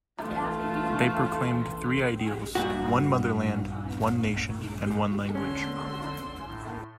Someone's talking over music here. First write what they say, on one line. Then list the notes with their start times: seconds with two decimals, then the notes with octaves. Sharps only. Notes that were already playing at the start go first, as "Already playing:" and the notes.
They proclaimed three ideals, one motherland, one nation and one language.
0.20 E3 A3 F4 A4 C6
2.55 G2 A#2 F#4
5.35 D3 C#4 C6 E6
6.46 A2